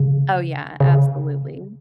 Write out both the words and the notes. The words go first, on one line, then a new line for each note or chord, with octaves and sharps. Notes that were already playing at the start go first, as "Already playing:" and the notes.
Oh, yeah, absolutely.
Already playing: C#3
C#3